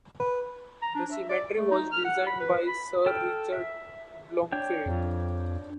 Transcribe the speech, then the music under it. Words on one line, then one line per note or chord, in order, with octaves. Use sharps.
The cemetery was designed by Sir Richard Blomfield.
B4
A#5
D4
E5
D5
A3
D#4
F6
F#5
B5
B4
B5
A4 G5 F6
E5
D4 C#5 G5
F2